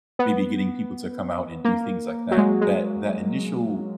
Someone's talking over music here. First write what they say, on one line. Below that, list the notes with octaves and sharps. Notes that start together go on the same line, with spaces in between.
maybe getting people to come out and do things like that that that initial
B3
A#3
F#3
G#3
G#3